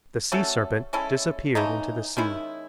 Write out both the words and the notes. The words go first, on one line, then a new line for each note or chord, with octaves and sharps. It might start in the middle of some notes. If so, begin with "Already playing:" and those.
The sea serpent disappeared into the sea.
A3 C#4 F#4 A4
G#3 C#4 E4 A4
C#3 E3 A3 D#4
D#3 G#3 C#4 E4